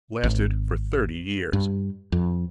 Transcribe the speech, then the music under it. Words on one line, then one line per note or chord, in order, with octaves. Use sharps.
It lasted for thirty years.
G#1
G2
F2